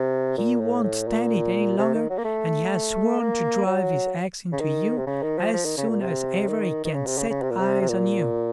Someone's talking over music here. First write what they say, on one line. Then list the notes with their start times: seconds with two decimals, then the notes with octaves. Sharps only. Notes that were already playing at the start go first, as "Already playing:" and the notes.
He won't stand it any longer, and has sworn to drive his axe into you as soon as ever he can set eyes on you.'
Already playing: C3
0.37 A#2
0.61 A2
0.84 A2
1.08 A#2
1.78 C3
1.94 D#3
2.10 F#3
2.18 A#3
2.25 A3
3.19 A#3
3.66 F#3
4.52 C#3
4.60 D#3
4.98 C3
5.07 C#3
5.23 D#3
5.38 F3
5.53 F3
5.65 D#3
5.78 C#3
5.89 A#2
6.01 C3
6.48 D#3
6.84 D#3
6.94 C#3
7.07 C3
7.18 C#3
7.30 C#3
7.42 C3
7.50 A#2
7.59 C3
7.81 C3
7.89 A#2